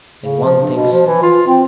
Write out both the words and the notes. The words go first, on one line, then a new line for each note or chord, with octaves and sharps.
And one thinks....
C#3
F3
G2
B2
F3
E3
F4
C4